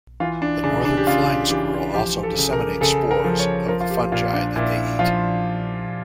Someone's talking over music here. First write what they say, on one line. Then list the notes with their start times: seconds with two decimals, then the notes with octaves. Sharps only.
The northern flying squirrel also disseminates spores of the fungi that they eat.
0.20 E3 F4
0.42 D4
0.64 C#3 D4
0.85 D4
0.97 G4
1.07 C#3 F4
1.50 E3 G4
1.94 F3 G4
2.23 A4
2.38 C#3
2.53 A#4
2.81 C#3 A4
3.11 A#4
3.24 F3
3.39 C#5
3.68 F3 A#4
3.80 F4
3.90 G4
4.12 A#2 F4
4.33 D4
4.56 A#2 E4
4.99 F3 F4